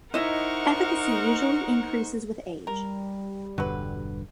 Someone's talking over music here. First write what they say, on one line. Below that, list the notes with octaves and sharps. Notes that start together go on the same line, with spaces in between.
Efficacy usually increases with age.
D#4 E4 A#4 C5 D#5 F#5 C#6
G3 A#4
E1 G2 D3 F#3 B4